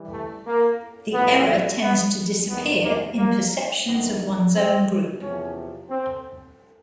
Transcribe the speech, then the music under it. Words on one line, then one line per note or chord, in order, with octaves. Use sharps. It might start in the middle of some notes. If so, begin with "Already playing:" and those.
The error tends to disappear in perceptions of one's own group.
Already playing: E3 G3
A3
A#3
A1 A2 F#3 B3
B3
E2 C3 D#3 G#3 B3
A#3
A#3
D2 C3 D#3 G3 B3
C4
E2 C3 F3 C#4
C4